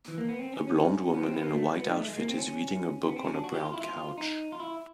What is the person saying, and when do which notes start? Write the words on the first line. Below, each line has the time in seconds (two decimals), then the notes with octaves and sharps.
A blond woman in a white outfit is reading a book on a brown couch.
0.08 E3
0.18 A#3
0.29 B3
0.39 C4
0.53 C#4
0.68 C#4
1.14 B3
1.23 C4
1.34 B3
1.44 A#3
1.54 A3
1.76 B3
1.87 D#4
1.96 A3
2.08 G#3
2.17 A#3
2.29 C4
2.38 C#4
3.09 B3
3.16 C4
3.25 C#4
3.34 D4
3.44 F#4
3.54 G4
3.65 F4
3.73 E4
3.81 F4
4.18 D#4
4.52 F4
4.60 E4